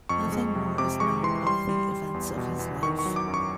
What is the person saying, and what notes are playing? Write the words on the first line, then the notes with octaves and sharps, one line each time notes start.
Nothing more is known of the events of his life.
F2 C#6
G#3
C3
C3 D6
G#3 C#6
E3 C6
G3 C6
G3
G3
E2
B2
E2
D#3 C#6
C#6
F#3
D6
F#2
C#6